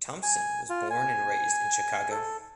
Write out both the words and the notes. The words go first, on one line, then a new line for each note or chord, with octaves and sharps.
Thompson was born and raised in Chicago.
G#5
F4
G#5
A4